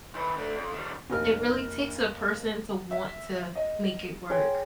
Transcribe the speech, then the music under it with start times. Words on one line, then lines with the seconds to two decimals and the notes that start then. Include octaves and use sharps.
It really takes a person to want to make it work,
0.15 D#3 B4
0.38 A3 D4
0.56 F2
0.72 D#3 G3
1.10 F1 A#2 A#4 F6
2.91 E5
3.56 D#5
4.30 G#4 C#5 G5 C6